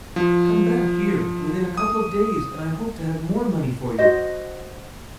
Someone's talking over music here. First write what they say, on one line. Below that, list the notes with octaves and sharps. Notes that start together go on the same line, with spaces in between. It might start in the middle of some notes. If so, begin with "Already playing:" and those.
Come back here within a couple of days and I hope to have more money for you!
F3
D#6
F#4 C5 D#5